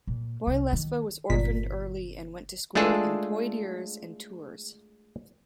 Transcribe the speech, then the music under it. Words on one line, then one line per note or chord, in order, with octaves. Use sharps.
Boylesve was orphaned early and went to school in Poitiers and Tours.
A#2
C2
D#3
G1 A#2 B6
G#3 A3 D4 F4 G#4 A4